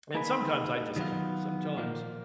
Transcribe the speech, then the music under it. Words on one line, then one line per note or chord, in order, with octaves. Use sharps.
and sometimes I just can't, sometimes,
A#3 D#4 G#4 B4
D#3 F#3 B3 F4
A#2 F3 A#3 F4